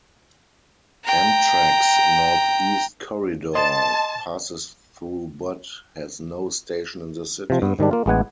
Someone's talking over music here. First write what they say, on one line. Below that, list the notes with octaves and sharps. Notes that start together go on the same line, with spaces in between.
Amtrak's Northeast Corridor passes through but has no station in the city.
G5 A#5
D#5 A5 C6
C3 F3
G2 B3
G#2 D#3 G3 D4
A#3 F4
A1 G#3 B3 F#5 G#5